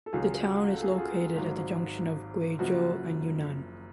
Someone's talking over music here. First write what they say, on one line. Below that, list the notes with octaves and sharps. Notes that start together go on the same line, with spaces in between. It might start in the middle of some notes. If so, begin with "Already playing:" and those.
The town is located at the junction of Guizhou and Yunnan.
A4
C#2 C#3 F#3 F4 G#4
F#4
A4
G#4
F#4
F4 G#4
G#1 G#2 F#3
F#1 F#2 F3 F#4